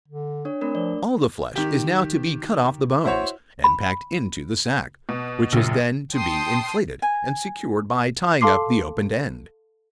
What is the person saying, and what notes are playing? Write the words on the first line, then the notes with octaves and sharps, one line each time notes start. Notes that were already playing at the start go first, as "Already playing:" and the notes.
All the flesh is now to be cut off the bones, and packed into the sack; which is then to be inflated, and secured by tying up the open end.
D3
D4 C#5
A3 C4 D4 A#4
F3 D5
D#3 G4
E4 F#4 C5 C#5
B5
B2
A#1 F#2 A#2 C#3
G5 A5 C6 D#6
G#5
A4 F5 A5 C6 D6 C7